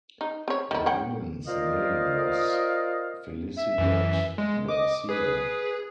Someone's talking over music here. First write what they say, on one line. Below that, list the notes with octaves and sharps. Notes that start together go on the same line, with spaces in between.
The woman's name was Felicidad Garcia.
D#4
C4 C#5
D#3 E4
C#5 F#5 G5
F4 A#4 C5 D5 D#5 F5
E5
F#2 E3
G#3
D#5 D6
G#4 B4